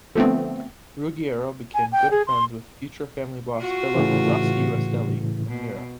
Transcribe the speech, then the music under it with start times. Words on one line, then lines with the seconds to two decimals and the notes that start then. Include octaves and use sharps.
Ruggiero became good friends with future family boss Philip "Rusty" Rastelli and Mirra.
0.15 D3 F3 A3 B3 C4
1.74 G#5
1.92 G5
2.11 G#4
2.27 C6
3.56 F4 F#4
3.95 A2 C#3 E3
5.48 B2